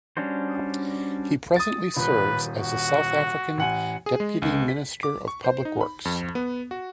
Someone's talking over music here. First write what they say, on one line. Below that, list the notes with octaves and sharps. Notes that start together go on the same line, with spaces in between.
He presently serves as the South African Deputy Minister of Public Works.
G3 C#4 D4 F#4 C5
D#6 A6
D#1 B4
F#4
A1 F#5 G#5
G#4
G#3
C#2
B6
D6
C#6
C5
D#4
B5
F2
B3
F#4